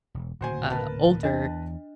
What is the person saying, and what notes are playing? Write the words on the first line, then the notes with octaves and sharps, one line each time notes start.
uh, older,
E1
D1 A#2 C#3 F#4 C5 G#5
A#4 B4 A5
E2 D4 D#5